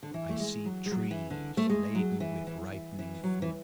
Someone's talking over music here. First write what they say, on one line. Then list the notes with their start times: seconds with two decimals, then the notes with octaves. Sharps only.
I see trees laden with ripening fruit.
0.03 D3
0.14 E3
0.29 A3
0.40 G#3
0.65 F#3
0.86 G#3
0.91 F#3
1.11 E3
1.30 D3
1.57 A3
1.69 G#3
1.95 F#3
2.20 E3
2.47 E3
2.61 F#3
2.73 E3
2.99 E3
3.24 F#3
3.42 E3